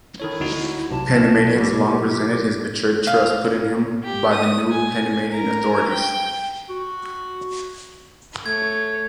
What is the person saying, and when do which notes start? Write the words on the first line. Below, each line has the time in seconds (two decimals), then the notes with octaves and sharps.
Panamanians long resented his betrayed trust put in him by the new Panamanian authorities.
0.20 D#3 E4 A4 C#5
0.40 D2 D#4 F#4
0.91 B1 C3 A5
1.16 B1 A3 F6
1.56 B2 F#3 G4
3.07 F5
4.03 G4
4.32 D#6
4.72 G#5
5.31 A#4
5.91 G5
6.70 F#4
8.46 A3 C#5 G#6